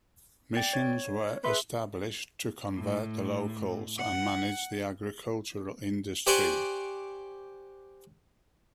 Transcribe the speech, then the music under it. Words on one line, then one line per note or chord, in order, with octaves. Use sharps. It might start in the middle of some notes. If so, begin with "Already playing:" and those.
Missions were established to convert the locals, and manage the agricultural industry.
D5 G5 A6
C#5
G#4 B4 E5 C6
A2
F#5
G4 C5 D5 F#5 G#5 C#6